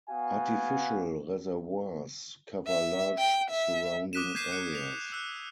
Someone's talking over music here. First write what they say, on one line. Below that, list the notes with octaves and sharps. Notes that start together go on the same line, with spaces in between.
Artificial reservoirs cover large surrounding areas.
B3 F#4 F5 G#5
E5
G5
E5
D6 D#6 F#6 B6 D#7 E7
G6 G#6 B6 C7 D#7 E7
F#6 C#7
F7
E6 F#6